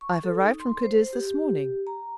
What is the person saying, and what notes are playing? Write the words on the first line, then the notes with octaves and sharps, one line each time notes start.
I have arrived from Cadiz this morning.
C#6
A4
D#4
C6
C5
G4
G4
A#5